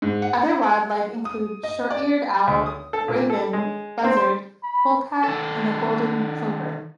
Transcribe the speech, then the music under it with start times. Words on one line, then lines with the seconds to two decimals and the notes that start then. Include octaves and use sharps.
Other wildlife include short-eared owl, raven, buzzard, polecat and golden plover.
0.02 G#2
0.22 F#5
1.25 D#6
1.63 D#5
1.90 D5
2.47 D2
2.66 D#6
2.93 A4
3.08 A#2
3.30 A4
3.53 G#3
4.04 C4
4.17 C5
4.63 B5
5.24 D#3 A4